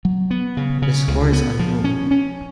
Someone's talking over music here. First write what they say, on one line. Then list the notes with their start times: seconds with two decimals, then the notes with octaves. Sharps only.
The score is unknown.
0.05 F#3
0.31 B3
0.57 C#3
0.82 C#3
1.08 C#2
1.33 B3
1.59 F3
1.84 C#4
2.11 C#4